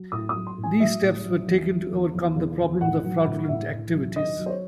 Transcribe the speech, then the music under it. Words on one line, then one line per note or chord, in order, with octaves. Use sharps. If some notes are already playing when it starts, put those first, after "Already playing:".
These steps were taken to overcome the problems of fraudulent activities.
Already playing: F#3
A2 D#6
D#6
F#3
C6
A2
G#5
F#3 E5
A2
F#3
E2
F#3
E2
E2
E2
E2
A2 F#5
F#3
A2
A2 E5
A2
F#3
D#3 D#5
F#3
C5
C#5